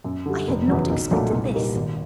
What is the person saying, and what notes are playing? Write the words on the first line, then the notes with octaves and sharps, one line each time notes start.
'I had not expected this.
F#2
D3 G3
F1
E2 C#3 F#3
B1
A#2 F#3 A3 D4
C2
A#2 G3 A#3 D#4
G#1